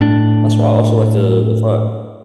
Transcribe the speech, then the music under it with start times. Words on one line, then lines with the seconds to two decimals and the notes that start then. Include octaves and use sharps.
That's why I also like to to fi
0.01 A2 D4